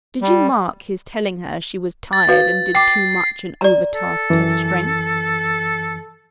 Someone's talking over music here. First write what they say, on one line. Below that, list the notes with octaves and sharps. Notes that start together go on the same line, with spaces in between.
'Did you mark his telling her she was tired and did too much, and overtasked her strength?'
G3
A6
F#4 B4 F5
G5 D6 A6 C7
D5 A#5
A4
F#2 E3